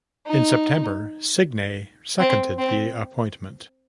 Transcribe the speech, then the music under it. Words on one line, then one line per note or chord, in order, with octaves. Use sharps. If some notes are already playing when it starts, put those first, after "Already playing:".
In September, Signay seconded the appointment.
D#4
C4
C4